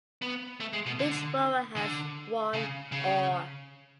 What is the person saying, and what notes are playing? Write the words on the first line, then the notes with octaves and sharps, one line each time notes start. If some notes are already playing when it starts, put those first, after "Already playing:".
Each rower has one oar.
B3
A3
G#3
B2
D3
D3
C#3
C#3